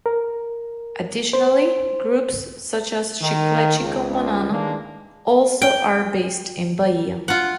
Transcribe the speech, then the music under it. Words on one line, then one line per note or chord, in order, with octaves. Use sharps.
Additionally, groups such as Chiclete com Banana also are based in Bahia.
A#4
C5
D#3
C#2
D#3 E3 G#3 A#3 D4
G5
F4 F#5